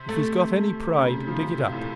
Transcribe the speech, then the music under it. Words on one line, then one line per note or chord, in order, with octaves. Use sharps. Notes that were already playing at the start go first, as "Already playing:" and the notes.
If he's got any pride, dig it up.
Already playing: C3
A3
C#3
C3
F3
C3
A#2
A2